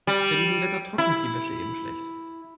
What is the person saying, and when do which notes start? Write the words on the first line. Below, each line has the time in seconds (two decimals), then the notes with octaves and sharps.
Bei diesem Wetter trocknet die Wäsche eben schlecht.
0.07 G3
0.98 E4